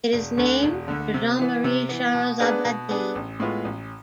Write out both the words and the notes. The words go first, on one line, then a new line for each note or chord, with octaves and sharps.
It is named for Jean Marie Charles Abadie.
E1
D2 D3
E1
D2 D3
C3
E3 B3
C3
E3 B3
B2
B3 D4 G#4 B4
B2
B3 D4 G#4 B4
A1
A2 G#3 B3 F4
A1